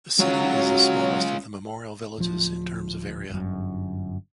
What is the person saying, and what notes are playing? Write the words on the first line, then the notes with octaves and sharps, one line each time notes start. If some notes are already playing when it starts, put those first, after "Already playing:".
The city is the smallest of the Memorial Villages in terms of area.
F#3 G#3 C#4 F4
D1 F3
G1 F#2